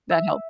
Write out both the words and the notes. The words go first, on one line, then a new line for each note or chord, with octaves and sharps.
that helped.
E5